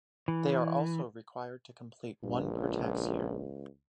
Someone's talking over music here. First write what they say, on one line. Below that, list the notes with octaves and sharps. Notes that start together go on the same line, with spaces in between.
They are also required to complete one per tax year.
E3
A#1 G2
C#2